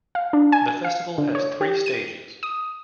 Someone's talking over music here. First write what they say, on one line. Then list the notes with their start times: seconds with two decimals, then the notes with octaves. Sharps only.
The festival has three stages.
0.15 F5
0.33 D4
0.52 G#5
0.84 F5
1.18 D3
1.35 C#5
1.61 G4
1.86 D#7
2.43 D#6